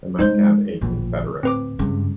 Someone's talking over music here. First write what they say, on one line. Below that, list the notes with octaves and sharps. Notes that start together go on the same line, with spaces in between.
I must have a confederate.
C#3 G#3 D#4 C5 G6
A1 D2 A#2 F3
A2 C4 B4 D6
G2 C#3